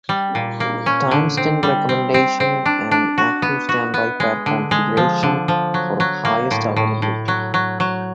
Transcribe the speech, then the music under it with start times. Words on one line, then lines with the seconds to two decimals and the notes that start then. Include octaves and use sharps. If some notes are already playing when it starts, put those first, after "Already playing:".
TimesTen recommends an active-standby pair configuration for highest availability.
0.09 G3
0.35 A#2
0.60 A#3
0.86 C#4
1.11 D3
1.37 C4
1.63 G3
1.89 C4
2.14 C4
2.40 C4
2.65 D4
2.91 D4
3.18 F#4
3.42 B3
3.69 F#4
3.94 B3
4.20 G#3
4.46 D3
4.71 G#3
4.97 F3
5.23 D3
5.48 F3
5.74 F#3
6.00 F#3
6.25 A#3
6.51 A2
6.76 A2
7.02 A2
7.28 F#3
7.54 F#3
7.80 F#3